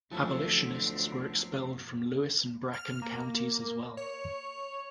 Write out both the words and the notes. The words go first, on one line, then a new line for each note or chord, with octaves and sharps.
Abolitionists were expelled from Lewis and Bracken counties as well.
D2 F3 F#3 A3 B3 C4 E4
F6
A#3
C#5